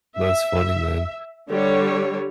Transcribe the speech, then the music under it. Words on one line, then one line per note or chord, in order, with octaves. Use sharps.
That's funny, man.
E5
D3 G3 C#5